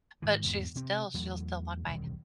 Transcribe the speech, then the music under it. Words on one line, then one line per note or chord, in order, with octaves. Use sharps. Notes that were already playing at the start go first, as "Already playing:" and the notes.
But she's still she'll still walk by,
G#2 D#3 E3
E2 G#2 B3
C3 C4
E2 F#3 A3
E1 C2 D#3